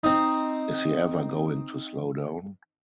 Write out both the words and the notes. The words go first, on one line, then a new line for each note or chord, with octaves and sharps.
Is he ever going to slow down?
C4 D#4